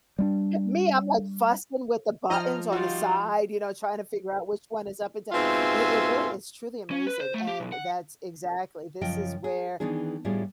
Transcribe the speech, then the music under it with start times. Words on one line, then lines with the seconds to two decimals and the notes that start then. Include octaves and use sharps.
Me, I'm like fussing with the buttons on the side, you know, trying to figure out which one is up and down. It it really is truly amazing, and that's exactly this is where
0.19 G3 B3 D4
2.30 F3 D#5 A#5 F6
2.72 G3 D#4 F4 F#4
5.32 G#2 B2 C4 F4 E5 G#5
6.91 C#4
7.07 B4
7.20 C5
7.34 A3
7.47 G4
7.60 B1
7.72 F#5
9.01 F#2 C#3 F3 D#5 G5
9.44 G#4
9.80 D#3 E3 B3 D4 G#4
10.25 A2 G3 B3 D4 F4 G#4